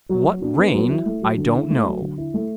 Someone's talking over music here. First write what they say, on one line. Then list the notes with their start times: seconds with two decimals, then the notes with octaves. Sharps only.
What rain, I don't know.
0.09 F#3
0.25 F#4
0.42 D4
0.58 B3
0.74 F#3
0.90 E4
1.06 A3
1.22 F#3
1.37 D3
1.53 E4
1.70 A3
1.86 F#3
2.02 D3
2.18 E4
2.34 A3